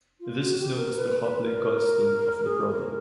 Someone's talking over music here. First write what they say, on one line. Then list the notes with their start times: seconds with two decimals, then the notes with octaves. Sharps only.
This is known as the Coupling constant of the problem.
0.21 F4
0.40 F#4
0.59 G4
0.77 A#4
0.96 B4
1.20 B4
1.45 A#4
2.45 G#4
2.69 A#4